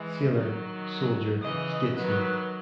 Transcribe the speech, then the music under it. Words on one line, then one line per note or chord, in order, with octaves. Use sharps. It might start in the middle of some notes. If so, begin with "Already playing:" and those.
Sailor - Soldier - Statesman.
Already playing: E3 G#3
D#3 F#3
C#3 E3 D#5
D#3 F#3 B4